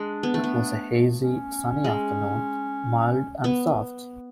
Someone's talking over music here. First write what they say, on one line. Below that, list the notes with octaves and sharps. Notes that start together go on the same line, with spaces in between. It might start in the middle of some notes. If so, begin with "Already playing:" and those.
It was a hazy, sunny afternoon, mild and soft.
Already playing: G#3 D4
B3
A3
B3
C#4
G#3
B3